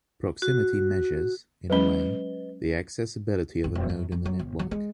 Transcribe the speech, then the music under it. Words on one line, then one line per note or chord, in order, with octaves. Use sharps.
Proximity measures, in a way, the accessibility of a node in the network.
F#4
F#3 G#3 C#4 B4 D#5 G7
G#1
E1
F#2
F2
F#3
G1
F#3
G#3